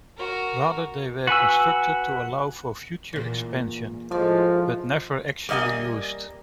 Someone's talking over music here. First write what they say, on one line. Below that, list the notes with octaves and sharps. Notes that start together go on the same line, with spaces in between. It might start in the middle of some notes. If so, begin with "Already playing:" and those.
Rather they were constructed to allow for future expansion, but never actually used.
F#4 A#4
F#4 B4 G#5 E6
E2 A#2
A2 F3 G#3 D5
G3 A#3 D#5 F#5 G#5